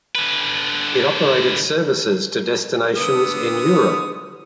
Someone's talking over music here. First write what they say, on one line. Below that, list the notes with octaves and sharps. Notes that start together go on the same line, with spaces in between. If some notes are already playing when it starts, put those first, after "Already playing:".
It operated services to destinations in Europe.
D3 B4
D3 B3 D#6